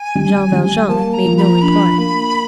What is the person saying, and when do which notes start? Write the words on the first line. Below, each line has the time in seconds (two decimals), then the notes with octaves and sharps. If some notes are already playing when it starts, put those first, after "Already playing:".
Jean Valjean made no reply.
Already playing: G#5
0.15 G3
0.52 G3
0.88 A#3 A5
1.13 A#5
1.25 F3
1.38 B5
1.42 A#5
1.62 D4 B5
1.98 A#3